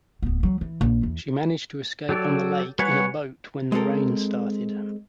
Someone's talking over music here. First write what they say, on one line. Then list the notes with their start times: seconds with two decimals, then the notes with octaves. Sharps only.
She managed to escape on the lake in a boat when the rain started.
0.22 D1 B3
0.43 F#3
0.61 E3
0.81 A#1
1.03 E2
2.09 F#3 G4 A4 D5
2.79 G3 B4 C#5 F#5 G#5
3.72 G#3 C4 A4 A#4